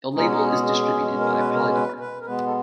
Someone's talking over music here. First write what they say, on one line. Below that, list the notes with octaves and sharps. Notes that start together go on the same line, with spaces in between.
The label is distributed by Polydor.
B2 G#3 C#4 D#4
D#4
G#4
G#4
A#4
B4
A#4
B4
B4
A#4
B2 G#3 B3 B4
A4